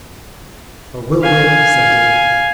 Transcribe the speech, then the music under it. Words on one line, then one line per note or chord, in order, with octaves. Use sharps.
"But we'll win!" said Dick.
F5 G#5